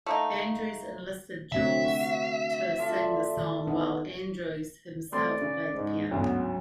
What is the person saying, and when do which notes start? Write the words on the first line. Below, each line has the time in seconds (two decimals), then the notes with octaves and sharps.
Andrews enlisted Jules to sing the song, while Andrews himself played the piano.
0.06 A3 A#3 D#4
1.52 D3 A3 C4 E5
1.85 F#4
2.79 F4 A4 D5
3.37 D#3
3.67 B3 D#4
5.12 A3 C4 D5 C6
5.41 C#3
5.74 G#2
6.11 D2 G#2 C#3 F#3 B3